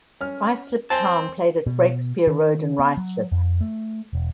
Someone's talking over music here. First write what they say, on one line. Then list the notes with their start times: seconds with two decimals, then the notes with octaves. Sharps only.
Ruislip Town played at Breakspear Road in Ruislip.
0.21 C#4 F6
0.90 C4 C5 G#5 A5
1.67 B2
2.27 D#3
2.79 B3
2.97 F#3
3.32 F2
3.61 A3
4.13 E1